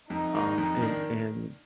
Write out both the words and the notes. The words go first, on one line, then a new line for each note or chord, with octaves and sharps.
um, and and
F2 D#4
D#3 A#3 D4
F2
D#3 A#3 D4